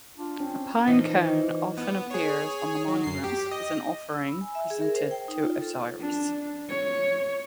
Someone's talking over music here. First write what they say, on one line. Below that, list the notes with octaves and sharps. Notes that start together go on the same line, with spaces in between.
A pine cone often appears on the monuments as an offering presented to Osiris.
D4 F4
C4 C#4
E3 F3 D#4
B3
G#4 C#5
F#3
F#2 C7
G4
D#5
E6
B5
G#5
E5
G#4
A#4
C5
G5
D#4
F4
A4
D4
C#5